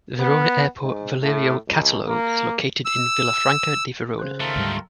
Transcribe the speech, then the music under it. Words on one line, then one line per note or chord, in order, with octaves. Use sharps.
Verona Airport "Valerio Catullo" is located in Villafranca di Verona.
B3
G#2
A2
C#2
A#3
E6
C#3 C5 F#6
D#3 A3 F4 A4 A#4
D2 G#2 G3